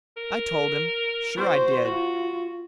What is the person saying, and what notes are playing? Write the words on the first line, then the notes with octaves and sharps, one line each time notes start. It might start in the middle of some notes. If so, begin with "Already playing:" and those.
I told him; sure I did.
A#4
F#4 C5
F4 F#4